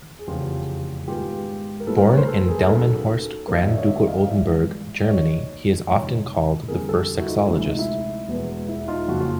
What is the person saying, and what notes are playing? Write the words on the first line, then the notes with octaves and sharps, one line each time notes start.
Born in Delmenhorst, Grand Ducal Oldenburg, Germany, he is often called the first sexologist.
G#4
F1 E2 C#3 F3 F4 G4
G#2 D#3 G#3 B3 F4 G4
A#4
A1 A2 E3 G3 A4 B4
A#4 C5
B4 C#5
A#4 C5
A4 B4
G#4 A#4
A#4
D#2 D#3 F#3 A#3 C#4 A4 B4
G1 F2 D3 F#3 A3 A#4 C5
D#5 F5
D5 E5
C#5 D#5
D5 E5
D#5 F5
F5
G#1 G2 E3 G#3 D5 E5
D5
D#2 D#3 F#3 C#5 D#5
F2 C3 D#3 G#3 C#5 D#5
F2 D3 G3 C4 G#4 A#4
G4 A4
E4 F#4
D#4 F4
E4
D2 C3 F3 G#3 C4 D#4
E4
D#4
E4
E1 E2 B2 G#3 B3
E4
D#4 F4
F#1 F2 C#3 F#4
F4